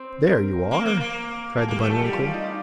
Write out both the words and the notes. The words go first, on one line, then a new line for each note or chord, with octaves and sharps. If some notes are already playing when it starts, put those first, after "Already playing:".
"There you are!" cried the bunny uncle.
Already playing: C4
A#4
A#3
A#3
A#3
A#3 A4
A#3 G4
A3 A#4
A3 A4
G3 G4
F4
F4
D#4
F4